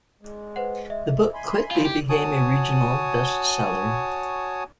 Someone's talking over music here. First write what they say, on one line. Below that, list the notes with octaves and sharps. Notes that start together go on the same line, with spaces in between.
The book quickly became a regional bestseller.
G#3
B4 C5 F#5
D#5 E5
G#5 B5 C6
F#3 F4
G4
F#4 C#5 G#5 A5 D#6